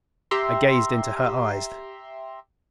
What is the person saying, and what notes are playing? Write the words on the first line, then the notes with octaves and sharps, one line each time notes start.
I gazed into her eyes.
G4 E5 A#5 C6